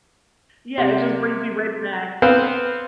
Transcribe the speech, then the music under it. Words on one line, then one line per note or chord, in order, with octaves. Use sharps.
yeah, it just brings me right back
C3
B3 C4 B4 C5 F5